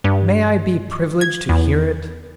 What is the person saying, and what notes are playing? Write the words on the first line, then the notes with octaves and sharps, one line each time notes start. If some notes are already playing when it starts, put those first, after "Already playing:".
May I be privileged to hear it?
G2
G#6
E2